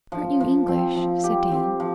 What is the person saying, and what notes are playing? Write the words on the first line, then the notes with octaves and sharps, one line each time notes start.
'Aren't you English?' said Dan.
F3
F3
C4
F3
G4
C4
F3